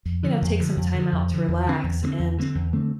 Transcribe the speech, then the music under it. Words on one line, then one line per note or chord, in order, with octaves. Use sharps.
you know, take some time out to relax, and
F2
D3 F3
F2
D3 F3
F2
D3 F3
F2
D3 F3
E2
D3 A3 C4
E2
D3 A3 C4
E2
D3 A3 C4
E2
D3 A3 C4